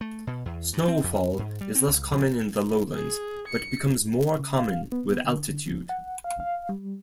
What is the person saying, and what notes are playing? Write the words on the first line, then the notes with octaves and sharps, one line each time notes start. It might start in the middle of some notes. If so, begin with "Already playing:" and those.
Snowfall is less common in the lowlands, but becomes more common with altitude.
A3
B2
E2
G2
C4
F2
G#2
G3
C4
C#2
A#1
G#4
C#7
C#3
F5
B3
D3
F3
F#5
F5
F5
G3